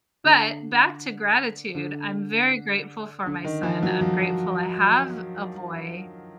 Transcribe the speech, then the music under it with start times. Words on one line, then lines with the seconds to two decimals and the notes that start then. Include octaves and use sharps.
But back to gratitude, I'm very grateful for my son, I'm grateful I have a boy.
0.24 D3
1.75 D3
3.26 D3
3.44 D#3
3.63 F3
3.83 F#3
4.01 F3